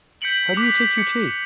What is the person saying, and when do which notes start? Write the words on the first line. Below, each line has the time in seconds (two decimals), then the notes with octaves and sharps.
How do you take your tea?
0.21 G6 B6 C#7 D7 F#7 G7
0.54 D6 F#6 B6 F7
0.98 C#7